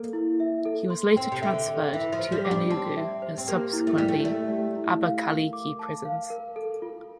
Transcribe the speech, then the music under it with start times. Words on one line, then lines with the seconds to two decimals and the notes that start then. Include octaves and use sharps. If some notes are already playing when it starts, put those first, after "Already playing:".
He was later transferred to Enugu and subsequently Abakaliki prisons.
Already playing: A#3 A4
0.13 E4
0.40 E5
0.65 A4
0.90 C6
1.16 C4 G5
1.32 C3
1.42 D3 E5
1.69 A4
1.94 E3 E5
2.12 F3
2.19 C5
2.32 G3
2.45 D6
2.51 D4
2.70 C4 A5
2.97 E5
3.22 C5
3.38 C4
3.48 A#3 G4
3.73 E4
3.87 A3
3.98 G3 E4
4.08 A3
4.25 A3 D5
4.51 G4
4.77 E4
5.02 F5
5.28 A#4
5.53 D6
5.79 A5
6.05 F5
6.30 A#4
6.56 A4
6.82 F4